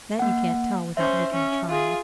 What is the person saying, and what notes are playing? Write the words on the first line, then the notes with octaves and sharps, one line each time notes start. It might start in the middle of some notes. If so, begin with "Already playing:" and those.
"That you can't tell without making the trial."
A#3 F#5
C#4 C5 E5
C#4
F4 G#4